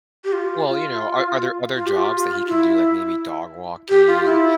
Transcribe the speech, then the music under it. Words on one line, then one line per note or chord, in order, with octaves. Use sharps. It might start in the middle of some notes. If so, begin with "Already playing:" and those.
Well, you know, are are there other jobs that he can do, like, maybe dog walking
G4
F4
F4
F4
G4
F4
E4
G4
F4
E4